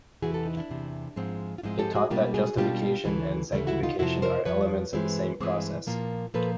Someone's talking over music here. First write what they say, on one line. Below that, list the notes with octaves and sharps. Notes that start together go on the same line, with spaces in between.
It taught that justification and sanctification are elements of the same process.
E2 C3 E3 F#4 G#4
G4 A4
D#4
D4 E4
E2 C3 E3
G#2 F3 G#3 C4
F4
G#2 F3 G#3 C4 D4 E4
G4 A4
F#4 G#4
B2 G3 A#3 D4 F4 G4
F#4 G#4
B2 G3 A#3 D4 F4 G4
D2 C#3 E3 A3
D2 C#3 E3 A3
E4 F#4
D#4 F4
F2 C3 F3 E4 F#4
A#4 C5
F2 C3 F3 B4 C#5
G2 E3 G#3 C4
G2 E3 G#3 C4
A#2 F3 A#3
A#2 F3 A#3 A4 B4